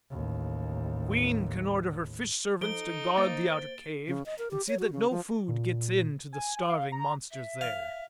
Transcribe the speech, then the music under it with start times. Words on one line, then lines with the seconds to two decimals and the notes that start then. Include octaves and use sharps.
The Queen can order her fish-servants to guard the outer cave and see that no food gets in to the starving monsters there.
0.10 A1 D#2
2.61 F3 D#4 A4 D7 G7
3.18 A#3 C5 A6
4.07 C#3
4.26 D#5
4.39 A#4
4.51 G4
4.68 C#5
4.79 F#4
4.93 C#3
5.10 F3
5.48 A#2
6.33 G#5
6.69 F5
6.92 A#5
7.31 E5
7.61 F5